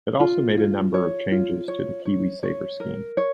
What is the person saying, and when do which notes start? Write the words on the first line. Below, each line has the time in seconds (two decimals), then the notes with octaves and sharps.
It also made a number of changes to the KiwiSaver scheme.
0.20 F4
0.57 F4
0.94 C#5
1.31 F4
1.68 C#5
2.05 C#5
2.43 C#5
2.80 A#4
3.17 C#5